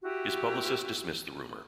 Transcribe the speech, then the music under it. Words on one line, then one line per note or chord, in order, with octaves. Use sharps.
His publicist dismissed the rumor.
E4 F#4 G4